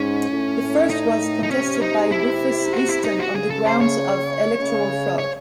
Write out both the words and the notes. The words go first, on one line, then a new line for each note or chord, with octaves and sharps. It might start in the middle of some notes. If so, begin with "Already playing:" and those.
The first was contested by Rufus Easton on the grounds of electoral fraud.
Already playing: G#2 C#4
A2
A2
D#4
D#4
C3 C#4
D#4
E4
F#4
E4
D#4
F#4
C#3 G#4
A4
C5
C#5
C#3
C#5